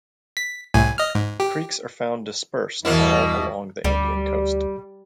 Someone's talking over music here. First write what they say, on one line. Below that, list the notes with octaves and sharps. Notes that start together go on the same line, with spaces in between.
Creeks are found dispersed all along the Indian coast.
B6
C2 A2 G#5
D#5 F6
G#2
G4
E2 G2 B2 E3 A#3 E4
D2 G3